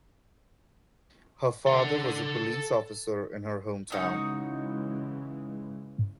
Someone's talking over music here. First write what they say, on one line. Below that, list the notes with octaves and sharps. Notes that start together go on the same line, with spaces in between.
Her father was a police officer in her home town.
A4 F#5
C#3 E3 G#3 D4 D#4 F#4